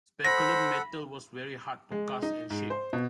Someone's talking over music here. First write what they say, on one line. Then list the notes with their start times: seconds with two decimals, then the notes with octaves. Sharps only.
Speculum metal was very hard to cast and shape.
0.25 A4 C5 F#5 B5 A#6
1.92 G#3
2.23 D#4
2.50 G#2
2.70 C5
2.93 B2